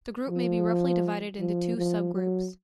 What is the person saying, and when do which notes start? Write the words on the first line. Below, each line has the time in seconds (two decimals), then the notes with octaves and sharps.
The group may be roughly divided into two subgroups.
0.29 F3
1.40 F3
1.77 F3
2.14 F#3